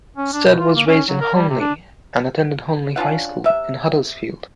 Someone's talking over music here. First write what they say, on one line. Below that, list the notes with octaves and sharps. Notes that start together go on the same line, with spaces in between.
Stead was raised in Honley and attended Honley High School in Huddersfield.
C#4
D4
B2
F4
A#3
C#4
F#3
A#4
G3
C3
D4
C#4 D4 F4 F#5
C3 E5